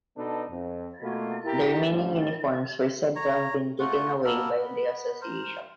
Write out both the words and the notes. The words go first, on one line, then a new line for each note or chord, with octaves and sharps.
The remaining uniforms were said to have been taken away by the association.
B2 B3 D4 D#4 A4 B4
F2
B2 A3 A#3 F4 F#4
E4 G4 A#4
A2 D3 D#3 G3 C#4
C#5 A#5
A3 F4 F#4 F#5
A#3 B3 A4 A#4
B3
A#4 C5